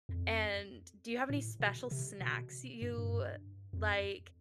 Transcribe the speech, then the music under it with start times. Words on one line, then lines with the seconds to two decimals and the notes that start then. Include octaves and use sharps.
and do you have any special snacks you, uh, like
0.09 F2
1.30 A2
1.60 B2
1.91 C3
2.21 B2
2.82 G2
2.98 G2
3.73 F2